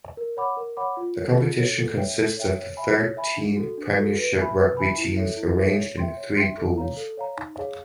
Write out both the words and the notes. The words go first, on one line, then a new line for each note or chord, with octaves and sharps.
The competition consists of the thirteen Premiership Rugby teams arranged in three pools.
A#4
C#5 F#5 B5 D6
A#4
C#5 F#5 B5 D6
F4
C#5
A4
F4
A4 C#5
A4
C#5 E5 G5
A4
C#5 E5 G5
C#5
E5 G#5 B5
C#5
E5 G#5 B5
D4
F#4 A4
D4
F#4 A4
B4
E5 G#5 B5
B4
E5 G#5 B5
E4
A4 C#5 E5
E4
A4 C#5 E5
C#5
E5 G5 C6
C#5
E5 G5 C6
A4
C#5 F5 A#5
A4
C#5 F5 A#5
D#4
G#4 C#5 F5